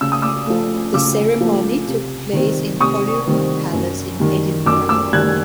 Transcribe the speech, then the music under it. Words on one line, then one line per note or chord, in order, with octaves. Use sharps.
The ceremony took place in Holyrood Palace in Edinburgh.
C#3 E6
D#6
D6 E6
F3 A3
C#3 D6 E6
F3 A3
C3
D#3 G3 C4
C3 C#6 D#6
D#3 G3 C4
F#2
D#3 G3
F#2 D6 E6
D6 E6
D#3 G3 F#6 G#6